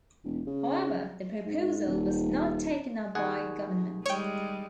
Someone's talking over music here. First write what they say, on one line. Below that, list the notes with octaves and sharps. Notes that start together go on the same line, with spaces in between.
However, the proposal was not taken up by government.
E1
C#3
G#2
D#1
D#2 G#4 F#5
G3 G#3 C#5 G5